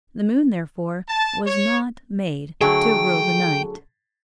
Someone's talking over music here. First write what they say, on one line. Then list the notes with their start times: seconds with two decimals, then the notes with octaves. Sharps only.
The moon, therefore, was not made "to rule the night."
1.09 A5
1.46 C#5
2.61 D3 F#3 A3 G#4 G5